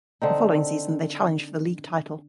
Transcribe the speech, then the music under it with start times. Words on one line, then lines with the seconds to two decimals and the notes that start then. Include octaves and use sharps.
The following season they challenged for the league title.
0.22 D3 C4 D#4